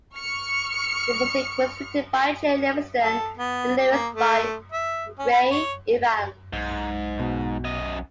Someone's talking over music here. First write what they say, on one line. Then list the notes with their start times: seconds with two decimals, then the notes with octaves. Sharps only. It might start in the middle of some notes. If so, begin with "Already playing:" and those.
The music was written by Jay Livingston, the lyrics by Ray Evans.
0.15 C#6 F6 C#7
3.02 A4
3.37 B3
3.78 G4
3.91 A#3
4.14 A3
4.72 E5
5.19 C#4
5.31 B5
5.51 C#5
6.53 B1 G#2
7.19 B2
7.65 F#2 D#5